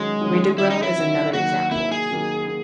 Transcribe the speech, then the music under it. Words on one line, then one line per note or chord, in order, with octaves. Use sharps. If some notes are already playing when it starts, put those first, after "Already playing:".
Ridogrel is another example.
Already playing: D#3 F#3 G#3 C#4
D#3 F#3 C#4
D#3 F#3 C#4 E4
D#4
E4
D#3 F#3 C#4
D#3 F#3 A#3 F#4
D#3 F#3 A#3 E4
G#4
D#3 F#3 A#3
A#3